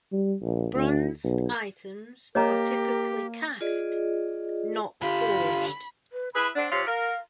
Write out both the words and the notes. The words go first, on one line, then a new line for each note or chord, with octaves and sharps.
Bronze items are typically cast, not forged.
G3
A#1
D2
B1
A#3 G4 A#4 C#5 D#5 A#5
F4 G#4 D5 D#5
D3 F4 G4 B5
B4
E4 G#4 B4 B5
C4 D4 F#5
C3 F4 C#5
A#4 F5